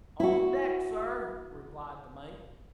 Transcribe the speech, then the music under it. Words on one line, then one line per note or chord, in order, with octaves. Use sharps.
"On deck, sir," replied the mate.
E4 F#4